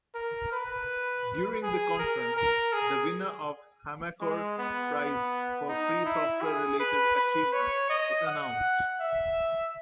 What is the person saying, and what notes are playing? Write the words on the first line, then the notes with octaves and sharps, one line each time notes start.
During the conference, the winner of Hamakor Prize for free software-related achievements is announced.
A#4
B4
G#4
A#4
A#4
G#4
G#3
B3
B3
D#4
E4
G#4
B4
B4
C#5
D#5
F#5
E5